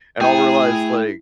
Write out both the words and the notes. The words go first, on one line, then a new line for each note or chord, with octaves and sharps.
and I'll realize, like
A3 E4 G#4 G5 G#5 B5